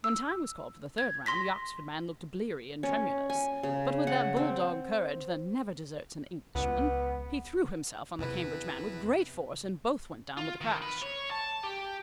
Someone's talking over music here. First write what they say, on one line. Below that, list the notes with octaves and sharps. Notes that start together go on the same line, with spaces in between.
When time was called for the third round, the Oxford man looked bleary and tremulous, but with that bull-dog courage that never deserts an Englishman, he threw himself on the Cambridge man with great force and both went down with a crash.
E6
G#6
C6 A#6 B6
C#4
G#5
C#3
F#5
C4
C#2 B3
E2 C3 E3 B4
F4
D#3
B4
C#5
A5
G4